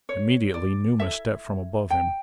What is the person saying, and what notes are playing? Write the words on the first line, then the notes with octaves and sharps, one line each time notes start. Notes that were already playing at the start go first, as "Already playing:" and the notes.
Immediately Numa stepped from above him.
C#5
D5
E4 A4 E5
G5